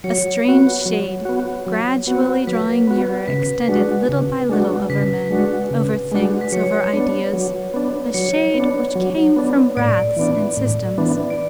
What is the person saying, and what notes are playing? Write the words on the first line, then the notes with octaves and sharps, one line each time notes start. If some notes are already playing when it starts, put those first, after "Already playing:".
A strange shade, gradually drawing nearer, extended little by little over men, over things, over ideas; a shade which came from wraths and systems.
F#3 C#5
B3 F#4
F#3
B3 F#4
F#3
B3 F#4
F#3 B4
B3 F#4
C#3 B4
G#3 D4 F#4
C#3
G#3 D4 F#4
C#3 B4
G#3 D4 F#4
C#3
G#3 D4 F#4
B4
F#3 C#5
B3 D4
F#3
B3 D4
F#3 C#5
B3
D4
F#3
B3 D4
A2 D5
E3 B3 D4
A2
E3 B3 D4
D5